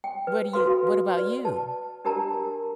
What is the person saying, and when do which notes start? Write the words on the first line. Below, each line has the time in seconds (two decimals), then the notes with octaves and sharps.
What do you what about you?
0.04 G5
0.27 B4
0.53 F#4 A4 B4 F5 C6
1.17 B4 D5
1.45 A5
2.05 D4 G4 A#4 A5 A#5